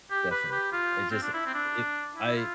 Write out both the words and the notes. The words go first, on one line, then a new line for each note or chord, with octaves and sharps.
Definitely. It just, it if I
G4
B4
G4
F4
C4
D4
E4
C4
D4
E4
F4